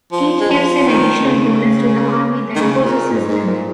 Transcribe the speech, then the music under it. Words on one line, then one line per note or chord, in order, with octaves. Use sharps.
Each gives an additional bonus to the army that possesses them.
F3
G#3
F3
D#3
C#3
D#3
C#3
A#2
G#2
G#2
A#2